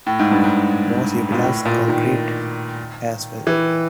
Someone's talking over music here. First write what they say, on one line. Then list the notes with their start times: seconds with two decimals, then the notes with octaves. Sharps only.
Most utilized concrete as well.
0.07 A2
0.19 G#2
0.31 G2
0.44 G#2
1.32 A#2
1.43 A2
1.65 A#2
1.88 D#3
3.47 E3